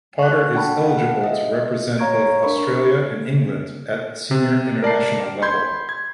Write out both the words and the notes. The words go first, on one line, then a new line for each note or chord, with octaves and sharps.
Potter is eligible to represent both Australia and England at senior international level.
C#6 F#6
D4 F#5 G5 A5 B5
F5 F#5
D#5 E5
C#5 F5 A#5 C#6 G#6 D7
D4 A#4 B5 C#6
C3
A#4 D5 A5 C7
B5 C6 G6 G#6
G#6